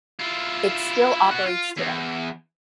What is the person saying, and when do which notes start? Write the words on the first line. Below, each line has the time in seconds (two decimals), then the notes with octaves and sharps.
It still operates today.
0.20 E4 F4
1.31 B3 F#4
1.46 F4
1.77 E2